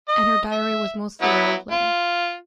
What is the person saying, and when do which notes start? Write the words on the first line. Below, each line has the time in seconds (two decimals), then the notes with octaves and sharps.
And her diary was mostly a love-letter.
0.08 D#5
0.51 E5
1.22 F#3 B3 E4
1.71 F4